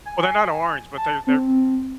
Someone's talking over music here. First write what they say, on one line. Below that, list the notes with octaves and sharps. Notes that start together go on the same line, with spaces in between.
Well, they're not orange, but their their
G#5
A5
C4